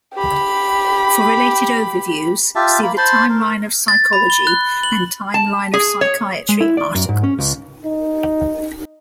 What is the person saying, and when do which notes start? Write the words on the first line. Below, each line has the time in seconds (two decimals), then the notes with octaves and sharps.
For related overviews see the Timeline of psychology and Timeline of psychiatry articles.
0.14 G4 B5
2.55 F4 G4 E5 A5
2.83 A#3 B5
2.97 C5 A5 B5 C6
3.30 A#4
3.88 A6
4.13 B5
4.30 G7
4.47 F#6
4.83 F#7
5.34 A5
5.74 G#4
6.01 C#5
6.49 G#3
6.61 E4
6.77 D5
6.95 F#2
7.09 G#2
7.24 C#4
7.39 C#2
7.85 D#4